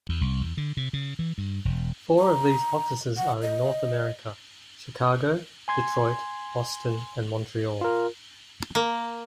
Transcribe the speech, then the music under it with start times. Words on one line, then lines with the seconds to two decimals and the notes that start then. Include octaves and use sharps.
Four of these offices are in North America: Chicago, Detroit, Boston and Montreal.
0.09 E2
0.21 C2
0.41 E2
0.57 D3
0.77 C3
0.93 C#3
1.19 E3
1.38 G2
1.65 E1
2.19 A#5
3.17 F#5
3.42 D#5
5.68 G#5 C6 G#6
7.81 F4 A#4
8.75 A#3